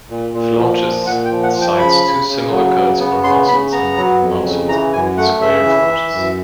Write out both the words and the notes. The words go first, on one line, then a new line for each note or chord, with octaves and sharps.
Flaunches, cites two similar coats for Mosylton or Moselton with square flaunches.
A#2
A#2
F3
A#2
A#2 F#5
G5
F3
F#5
F3
G5
C#3 B5
C#3
C#3
F#3
C#3
B3
C#3 C6
C#3 B5
B3 A#5
F#3
F2
C#3
E3 A#5
F#2 G#5
A3 F#5
C#3 E5
E3
E3
F#2